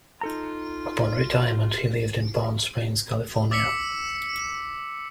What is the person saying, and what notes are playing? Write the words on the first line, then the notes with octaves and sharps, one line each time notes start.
Upon retirement he lived in Palm Springs, California.
D#4 F4 A4 A#5
D6 E6 B6 C#7